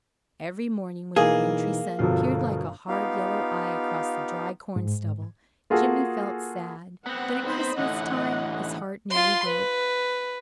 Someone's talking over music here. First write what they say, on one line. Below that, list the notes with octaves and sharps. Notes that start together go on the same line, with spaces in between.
Every morning, when the wintry sun peered like a hard yellow eye across the dry corn-stubble, Jimmy felt sad, but at Christmas time his heart nearly broke.
B2 E3 A#3 D#4 G#4
G1 B2 F3 A4 F5
B3 D#4 F4 G4 F5
G#2
A#3 F4 F#4 G#4 A4
B3 C4 F#5
D#4 C5 B5
A2 D3 E3 D#5 F#5
F4 C6
B4